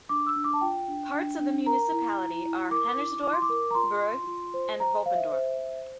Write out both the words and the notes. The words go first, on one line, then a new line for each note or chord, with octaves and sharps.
Parts of the municipality are Hannersdorf, Burg, and Woppendorf.
D4 D6
E6
D4
D6
A5
F4 G5
D4
D4
D4
A#4 A#5
E4
E4
E4
A#4 D6
E4
E4 D6
C6
D6
A#4
A#5
F4 C6
F4
F4
C5
C5 A#5
C5 F5
E5
C5
C5